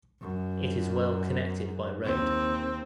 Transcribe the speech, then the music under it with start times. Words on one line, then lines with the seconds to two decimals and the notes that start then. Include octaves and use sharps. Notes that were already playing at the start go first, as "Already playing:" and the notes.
It is well connected by road.
0.21 F#2
2.04 D#2 C4